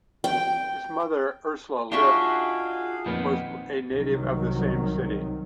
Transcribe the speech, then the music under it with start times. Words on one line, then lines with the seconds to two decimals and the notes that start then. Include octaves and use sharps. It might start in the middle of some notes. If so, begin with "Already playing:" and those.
His mother, Ursula Lippe, was a native of the same city.
0.24 G5
1.92 D4 D#4 F4 F#4 G#4 E5 F5 C#6
3.06 F2 A#2 D#3 B3 C4 B4
3.91 C2 C3 D#3 F#3